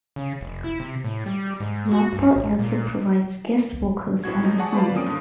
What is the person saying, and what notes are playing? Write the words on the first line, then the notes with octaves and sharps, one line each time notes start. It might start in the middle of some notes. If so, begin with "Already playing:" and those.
Lauper also provides guest vocals on the song.
C#3
F1
E4
C3
A2
G3
G#2
F#4
G2
A1
A#2
A#1 A2 F#4 G#6
F3 F#3 D#4
G#4 D5 F#5 A5 C#6
B4 C5 D5 F5 A5
A#3 C4 C#4 D#6 D7
G2 D3